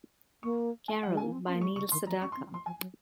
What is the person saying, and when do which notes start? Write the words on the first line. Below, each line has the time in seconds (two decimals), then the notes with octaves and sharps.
Carol by Neil Sedaka.
0.43 A#3 C#6
0.88 G#5
1.03 F#5
1.06 F#3
1.15 G#3 G#5
1.23 A#3
1.32 C4
1.46 C#4 C6
1.55 A#3
1.61 G#3 C#6
1.76 C#3 C#6
1.92 D#3 C6
2.06 F3 A#5
2.21 C#4 C#6
2.32 C6
2.36 C4
2.51 F3
2.54 C6
2.66 F3 G#5
2.81 F#3